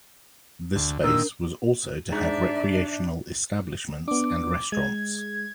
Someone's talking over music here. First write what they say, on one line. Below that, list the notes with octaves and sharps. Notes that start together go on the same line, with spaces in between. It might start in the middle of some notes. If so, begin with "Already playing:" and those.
This space was also to have recreational establishments and restaurants.
D2
A#2 D#3 D4 A#4 E6
G#2 D4 D5 E5
B3 D4 D6
G#3 G#6